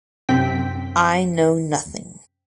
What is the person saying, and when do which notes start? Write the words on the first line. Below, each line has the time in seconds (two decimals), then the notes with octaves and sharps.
I know nothing.
0.29 F#2 C3 C4 G5 B6